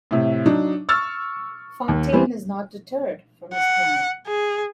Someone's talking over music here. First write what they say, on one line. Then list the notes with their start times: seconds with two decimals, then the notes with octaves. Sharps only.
Fontaine is not deterred from his plan.
0.11 A2 C3
0.46 F#3 D4 D#4
0.89 C#6 E6 F6 A6
1.88 D#2
2.12 E3 G3 B3 C4
3.54 F#5
4.27 G#4